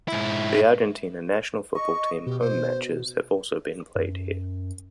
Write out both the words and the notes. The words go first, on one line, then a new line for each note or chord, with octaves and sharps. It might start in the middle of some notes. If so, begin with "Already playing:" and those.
The Argentina national football team home matches have also been played here.
G#2 E4
D#5 C#6
B2 G4
C5
F#2